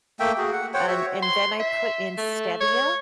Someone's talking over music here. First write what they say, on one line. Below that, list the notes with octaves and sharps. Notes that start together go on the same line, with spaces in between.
um, and then I put in Stevia,
A3 A#3 E5 G5
F#4 G#4
F#5
C5 C#5 F#5 G5
F#4 C#5 E5
C6
E5
A3
C#5